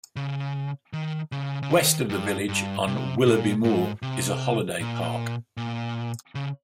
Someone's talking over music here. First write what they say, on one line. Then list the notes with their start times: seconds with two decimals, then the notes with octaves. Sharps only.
West of the village on Willoughby Moor is a holiday park.
0.16 C#3
0.93 D#3
1.32 C#3
1.63 C#3
1.70 D#3
2.09 G2
2.48 G2
2.87 C3
3.26 A#2
3.64 G#2
4.02 C3
4.81 A#2
5.57 A#2
6.35 C#3